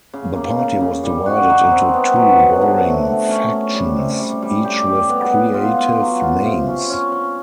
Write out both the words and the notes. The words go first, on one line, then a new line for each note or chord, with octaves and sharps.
The party was divided into two warring factions, each with creative names.
C#3
A#3
C#3
C#3
G3
F#4
D#4
C4
B3
F#3
F#3
D3
A3
A3
C#4
C#4
G3
C3
G3
G3
G4
G4
B3
B3
F4
F4
F#3
F4
C3
C#4
C#4
C#4